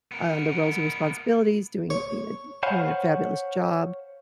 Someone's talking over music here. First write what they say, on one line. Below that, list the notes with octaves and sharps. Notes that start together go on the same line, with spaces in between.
uh, the roles and responsibilities, doing ee uh doing a fabulous job,
B3 A#4
C#5
C5 C#5 F5 F#5 G#5 B5